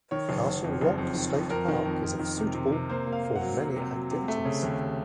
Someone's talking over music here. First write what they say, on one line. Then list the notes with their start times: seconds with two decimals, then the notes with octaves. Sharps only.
Castle Rock State Park is suitable for many activities.
0.11 D#3 C#5
0.29 F#1
0.46 F#1
0.64 F2
0.81 F#1
0.98 F2
1.15 D#3
1.33 F2
1.50 F2 A#4
1.68 D#3
1.85 F2
2.02 F2
2.19 D#3
2.37 C3
2.55 C3
2.72 C3
2.89 A#3 C5
3.07 A#3
3.12 F5
3.24 A#3
3.36 F#5
3.41 F#3
3.58 A#3
3.76 C3
3.93 F#3
4.11 C3
4.28 A3
4.45 C#3
4.63 D#2